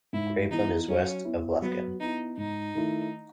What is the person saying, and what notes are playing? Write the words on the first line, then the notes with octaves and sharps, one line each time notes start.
Grapeland is west of Lufkin.
G#2 E4
E3 B3 D#4 E4
F#3 C#4
B3 E4
F#3 B3
B3 D#4 E4
G#2 D#4
D#3 A3 E4